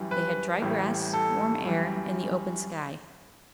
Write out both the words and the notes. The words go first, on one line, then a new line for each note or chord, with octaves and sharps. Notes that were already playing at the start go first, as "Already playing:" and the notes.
They had dry grass, warm air and the open sky.
Already playing: F#2 E3 G3
B4
A1 A2 G3
A4
F#2 E3 G3